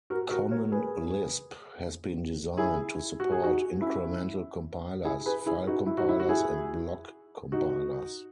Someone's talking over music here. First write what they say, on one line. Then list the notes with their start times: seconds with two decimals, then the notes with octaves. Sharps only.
Common Lisp has been designed to support incremental compilers, file compilers and block compilers.
0.10 F#4 A#4
0.31 F#4 A#4
0.51 A#4 C#5
0.72 G#4 B4
2.57 E4 G#4
3.20 F#4
3.32 G#4
3.44 D#4 F#4
3.81 C#4 E4
5.05 E4 G#4
5.26 G#4 B4
5.46 E4 G#4
5.67 D#4 F#4
5.86 E4
5.98 D#4 F#4
6.09 E4
6.20 F#4
6.29 E4 G#4
7.52 D#4 F#4